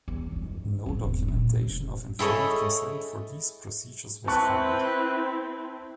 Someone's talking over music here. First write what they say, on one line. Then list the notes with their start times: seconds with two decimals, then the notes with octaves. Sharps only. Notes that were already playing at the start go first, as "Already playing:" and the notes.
No documentation of informed consent for these procedures was found.
0.08 E2
0.32 F#2 D#3
0.86 G#1 C4
1.03 E1
1.28 A#2
1.62 F1
2.19 E4 G#4 A4 C#5 D#5
4.28 C4 E4 B4 A5 C#6 F#6